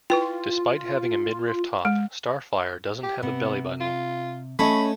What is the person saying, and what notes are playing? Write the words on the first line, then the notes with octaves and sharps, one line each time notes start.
Despite having a midriff top, Starfire doesn't have a belly button.
E4 F4 B4 G5
G#3
G4
C3 B3
F4
A3 C#4 C#5 D#5 B5